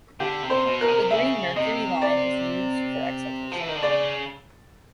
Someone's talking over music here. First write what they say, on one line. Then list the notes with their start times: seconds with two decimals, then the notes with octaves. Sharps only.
The green mercury line is used for excitation.
0.20 D3 G4
0.43 C3
0.50 C5
0.65 B2
0.81 A#4
0.88 C3
1.11 C#3 E5
1.56 C3 D#5
2.02 D5
3.52 F3
3.60 E3
3.68 D#3
3.75 D3
3.83 C#3 D5